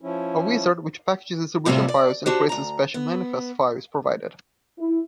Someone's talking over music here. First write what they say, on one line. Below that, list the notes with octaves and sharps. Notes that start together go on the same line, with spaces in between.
A wizard which packages distribution files and creates the special "manifest" file is provided.
F3 C#4 E4
D2 A2 C3 G3 F4 C5
D5
D4 F#4 G4 C5
D2 A#5
B3
E4